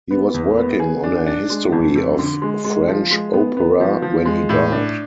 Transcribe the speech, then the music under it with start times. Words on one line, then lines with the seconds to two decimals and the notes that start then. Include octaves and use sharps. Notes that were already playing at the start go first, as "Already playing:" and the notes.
He was working on a history of French opera when he died.
0.11 B3
0.34 E2
0.57 B3
0.80 G#4
1.03 D4
1.27 D4
1.50 G#3
1.72 F2
1.95 F2
2.19 D3
2.42 G#3
2.64 G#3
2.88 F3
3.11 G#3
3.33 B3
3.57 B3
3.80 F3
4.02 F3
4.25 G#3
4.49 A2
4.72 D4